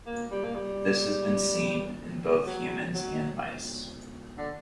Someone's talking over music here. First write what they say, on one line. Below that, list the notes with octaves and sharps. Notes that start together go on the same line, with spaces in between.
This has been seen in both in humans and mice.
A#3
G3
A#3
G3
F#3
F#3
D3